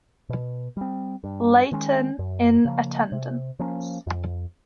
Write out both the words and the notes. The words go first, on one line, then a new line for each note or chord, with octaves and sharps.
Leighton, in attendance.
B2
G3 C4
G2
D#3 G#3 C#4
F#2
C#3 F3 A#3
C3
F3 A#3 C#4
F2